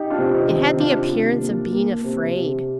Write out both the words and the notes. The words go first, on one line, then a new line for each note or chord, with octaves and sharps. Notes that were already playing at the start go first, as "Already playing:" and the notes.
It had the appearance of being afraid.
Already playing: D#4 G4
D4 F4
C3
C4 D#4
D#3
C4 D#4
C3 D4 F4
C3
A#3
A#3
C3
C3